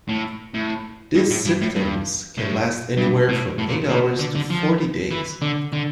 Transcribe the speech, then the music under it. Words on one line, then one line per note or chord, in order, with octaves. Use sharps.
These symptoms can last anywhere from eight hours to forty days.
A2
A2
G2
A2
G2
A2
G2
A2
G2
A2
A2
A#2
A#2
D3
D3
F3
E3
D3
D3